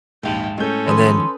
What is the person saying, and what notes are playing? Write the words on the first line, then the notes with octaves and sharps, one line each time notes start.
and then
A#1 D#2 G#2 F5 G5 A5
A2 G#3 C#4 A4 G6
D#3 F3 G#3 B4 C6 D#6